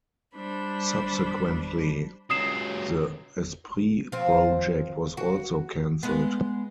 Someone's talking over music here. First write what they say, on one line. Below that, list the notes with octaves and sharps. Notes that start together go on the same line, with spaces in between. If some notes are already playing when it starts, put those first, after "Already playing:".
Subsequently, the Esprit project was also cancelled.
G3 D4 C5 B5
C#2 F#3 D#6 C7 E7
F3 C4
F#4
G#3 B3